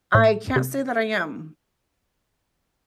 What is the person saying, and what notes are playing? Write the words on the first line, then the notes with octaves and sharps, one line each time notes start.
I can't say that I am.
A2
C3